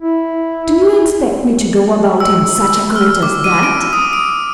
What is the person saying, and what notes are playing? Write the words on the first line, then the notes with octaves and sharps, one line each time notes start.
'Do you expect me to go about in such a coat as that?
E4
E6
F6
D6
D#7
D7
D#6
D7